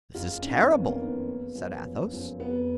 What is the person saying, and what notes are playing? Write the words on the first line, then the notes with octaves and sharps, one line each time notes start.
"This is terrible," said Athos.
F#1 F4
F2 D#3 C#4
F#1 B3
A#3
F2 D#3 B3
F#1
F#2 F3
F#1
F#2 F3
F1 B3